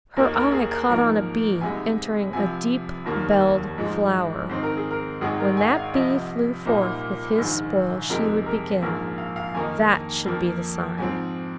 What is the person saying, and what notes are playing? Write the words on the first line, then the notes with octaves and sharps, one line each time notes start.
Her eye caught on a bee entering a deep-belled flower: when that bee flew forth with his spoil she would begin--that should be the sign.
D#2 D#3 A#3 D#4 A#4
A#4
G#4
A#4
G#2 F3 A#3 D#4 A#4
C2 C3 G#3 D#4 G#5
C2 C3 F3 G#5
F1 D#2 D#3 A#3
G#2 F3 G#3 D#4
G#2 D#3 C4 D#4 C5
A#4
G#4
A#4
G#1 G#2 G#3 D#4 G#4
A#4
G#5
F5
C2 C3 F3 D#5
C2 A#2 A#3 D#4 C5
A#1 G#2 D#3
F2 C3 G#3 D#4 A#4
A#4
A#1 G#2 F3 A#3
F5
F5
F2 D#3 A#3 D#4 G#5
F2 F3 A#3
G#2 F3 C4 G#5